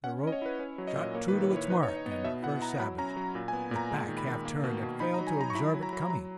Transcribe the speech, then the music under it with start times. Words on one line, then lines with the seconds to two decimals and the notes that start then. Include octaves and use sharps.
The rope shot true to its mark and the first savage, with back half-turned, had failed to observe it coming.
0.04 C#4 F#5
0.23 C#4 D#5
0.32 C#5
0.42 E4 B4
0.59 C#4 C#5
0.78 F#3
0.87 D#5
0.96 A#2
1.15 A#3 C#5
1.28 B4
1.32 D#3
1.42 C#5
1.51 E4
1.56 C#5
1.70 D#4 B4
1.83 C#5
1.88 D#4
1.97 D#5
2.06 B3
2.11 D#5
2.24 B2 E5
2.43 E4 F#5
2.61 E4 A#5
2.80 F#3 B5
2.98 C#4 A#5
3.16 F#3
3.35 A#2
3.48 G#5
3.53 B3
3.71 A#2 A#5
3.91 G#3
4.08 D#3
4.18 B5
4.27 D#3
4.45 A#3
4.64 B2
4.82 B2
5.00 D#4 B5
5.14 F#3 A#5
5.27 G#5
5.37 F#3 A#5
5.50 C#6
5.55 E4 B5
5.74 F#3
5.83 A#5
5.93 F#3
6.10 F#3 A#5